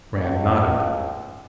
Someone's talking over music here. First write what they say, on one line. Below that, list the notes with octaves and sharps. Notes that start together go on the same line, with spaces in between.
Rand nodded.
C#2